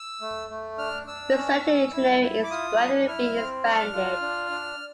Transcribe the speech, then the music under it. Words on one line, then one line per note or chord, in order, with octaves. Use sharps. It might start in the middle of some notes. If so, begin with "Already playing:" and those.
Research in engineering is gradually being expanded.
Already playing: E6
A3
A3
D4 F6
D4 E6
C#4
C#4
E4
E4
D6
F4 D#6
D4
E4 F6
C4
D4 F6
F4
D4
D4